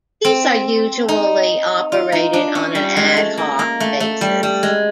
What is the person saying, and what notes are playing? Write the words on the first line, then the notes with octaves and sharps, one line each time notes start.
These are usually operated on an ad-hoc basis.
C4
D#4
F4
D#4
D4
C#4
G3
G#3
A3
A#3
A#3
A3
A3
G3
G3
G#3